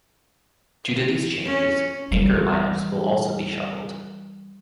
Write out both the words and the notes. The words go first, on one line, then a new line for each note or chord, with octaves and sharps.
Due to these changes, anchor lineups will also be shuffled.
C#4
E3 G3